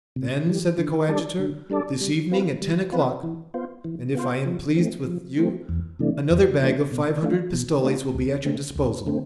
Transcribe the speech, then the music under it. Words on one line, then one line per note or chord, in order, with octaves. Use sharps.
"Then," said the coadjutor, "this evening, at ten o'clock, and if I am pleased with you another bag of five hundred pistoles will be at your disposal."
C3
E3 G3
D3
G3 D4 A4 D5
D3
G3 D4 A4 D5
G3
C4 F4 B4
G3
C4 F4 B4
E3
B3 F4 C5
E3
B3 F4 C5
F3
A3 C4
F3
A3 C4
E2
C3 E3 A3 D4
E2
C3 E3 A3 D4
B2
A3 D4 F4
B2
A3 D4 F4
D2
D3 A3 C4
D2
D3 A3 C4